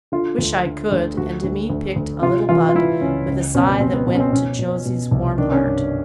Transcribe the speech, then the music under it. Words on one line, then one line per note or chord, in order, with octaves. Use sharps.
'Wish I could!' and Demi picked a little bud, with a sigh that went to Josie's warm heart.
D3 F4
D2
D3
D2
D2 F#4
D2
D2
D2
C3 F4
E3 F4
F4
E3 E4
C#2 C#4
C#2
B2 C#4
C#4
B2 C4
B3
B2 B3
C#4
C4
B2 C#4
B2
B2
C2
D#3 D4
C#4
G2 D4